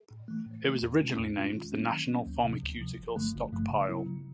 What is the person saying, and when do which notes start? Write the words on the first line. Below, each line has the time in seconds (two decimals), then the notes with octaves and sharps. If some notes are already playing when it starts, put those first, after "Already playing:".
It was originally named the National Pharmaceutical Stockpile.
0.11 A2
0.28 E3 A3
0.46 A2
0.65 E3 A3
0.82 E2
1.01 B2 G#3 C#4 F4
1.18 E2
1.37 B2 G#3 C#4 F4
1.55 D#3
1.72 F#3 A#3 C#4
1.91 D#3
2.09 F#3 A#3 C#4
2.26 D2
2.44 C3
2.49 F3
2.63 D2
2.81 C3 F3
2.99 G1
3.16 G2 D3 F3 A3
3.35 G1
3.53 G2 D3 F3 A3
3.70 C#3
3.89 F#3 B3 E4
4.06 C#3